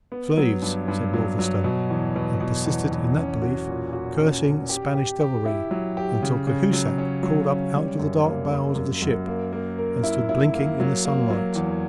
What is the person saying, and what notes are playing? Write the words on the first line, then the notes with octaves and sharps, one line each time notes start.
"Slaves," said Wolverstone, and persisted in that belief cursing Spanish devilry until Cahusac crawled up out of the dark bowels of the ship, and stood blinking in the sunlight.
B3
F#3
G2
G2
F#3
F#3
B2
E2
B2
B2
E2
E2
C#4
F#4
A#2
F#4
C#4
C#4
G4
G4
G4
E4
F#3
G4
C#3
C#3
F#3
C#4
F#3
C#4
G3
F#2
A#3
F#2
F#2
F#2
A#3
A#3
A#4
E4
E4
A#3
F#3
A#3
F#3
E2